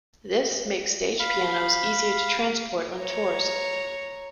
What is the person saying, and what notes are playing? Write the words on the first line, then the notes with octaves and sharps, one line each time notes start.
This makes stage pianos easier to transport on tours.
F5 B5
C#5 A#5